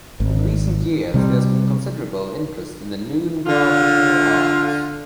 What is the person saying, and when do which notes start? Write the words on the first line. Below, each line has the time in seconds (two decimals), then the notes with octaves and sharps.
In recent years there has been considerable interest in Noongar visual arts.
0.20 G#1
1.14 C3 G3
3.46 D3 F4